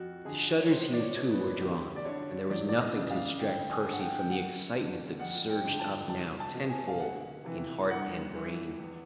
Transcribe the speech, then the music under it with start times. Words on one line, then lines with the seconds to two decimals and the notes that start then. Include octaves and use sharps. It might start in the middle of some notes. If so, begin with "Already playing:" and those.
The shutters here, too, were drawn; and there was nothing to distract Percy from the excitement that surged up now tenfold in heart and brain.
Already playing: F2 F#4
0.25 D3 G#4
0.61 C#5
0.71 C#2 C5
0.93 D5
1.00 C#5
1.16 B2
1.31 B4
1.61 D2 G4
1.96 D5
2.05 D3 C#5
2.50 E2 D5
2.69 D5
2.80 D#5
2.95 C#3 E3
3.10 F5
3.40 D2 G5
3.71 G#5
3.84 D3
3.92 F#5
3.99 G5
4.20 G5
4.29 F#2 F#5
4.75 D3
5.19 F2 F#5
5.50 G5
5.65 D3
5.80 A5
6.10 C2 A5
6.40 A5
6.54 B2
6.70 G#5
6.88 F5
6.99 D2 F#5
7.45 C3 E3
7.90 G2 F#5
8.34 E3
8.80 E2